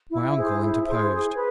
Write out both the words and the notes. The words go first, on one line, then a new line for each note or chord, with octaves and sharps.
My uncle interposed.
E4
G#4 C5
E4
G#4 C5
G#4
B4